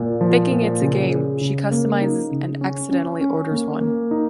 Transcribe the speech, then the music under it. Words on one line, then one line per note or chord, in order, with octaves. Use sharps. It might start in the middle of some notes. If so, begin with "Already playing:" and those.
Thinking it's a game, she customizes and accidentally orders one.
Already playing: A#2
F3
A#2
C#3
G#4
C#3
A#3
D#4
C#3
C#4
C#4
C#4
A#3
A#3
D#4